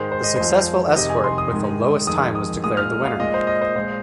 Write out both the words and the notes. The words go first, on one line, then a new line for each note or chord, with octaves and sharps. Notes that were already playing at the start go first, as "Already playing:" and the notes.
The successful escort with the lowest time was declared the winner.
Already playing: G#2 D#3 G#3 C5
C5
D#5
F2 F3 G#3 C5
F2 C3 D#3 D#5
G#5
C6
D#6
G#2 D#3 G#3
F2 D#3 G#3 D#6
D#6
A#2 G#3 D#6
F6
F5
A#2 G#3 D#5
C5
D#5
C5
A#2 G#3 C5